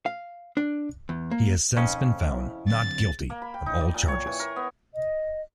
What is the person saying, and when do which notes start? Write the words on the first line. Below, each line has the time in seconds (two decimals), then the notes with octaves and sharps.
He has since been found not guilty of all charges.
0.06 F5
0.57 D4
1.09 E2
1.31 A#3
1.77 F2 C#3 C#4 D#4
2.34 E4
2.68 D3 F#3 C4 A6
3.30 A#3
3.42 B5
3.54 G5
3.66 D#4
3.81 D5
3.94 A#2
4.08 C#5
4.27 E3
4.40 A#4
4.56 B3
4.93 D#5